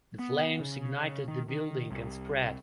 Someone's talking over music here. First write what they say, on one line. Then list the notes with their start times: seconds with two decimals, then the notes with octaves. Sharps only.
The flames ignited the building and spread.
0.19 B3
0.60 C#3
1.28 D#3
1.49 D#3
1.91 C2